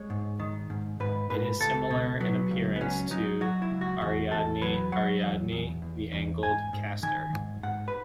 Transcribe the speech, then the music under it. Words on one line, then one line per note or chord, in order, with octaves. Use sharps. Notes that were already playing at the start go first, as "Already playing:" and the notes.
It is similar in appearance to "Ariadne ariadne", the angled castor.
Already playing: G#3 C#5
G#2
D#3
G#2
G#2 B4
G#2 B4
C#2 A4
B2
F#3 B3
C#2
B3
F#3 C#4
F#3 D#4
F#3 F#4
E4
C#2
F#4
E2 F#4
E2 A4
F#3 B4
F#3 F#5
E2
E2
E2
E2
G#2 G#5
G#2
D#3 G#5
G#2
G#2 F#5
B4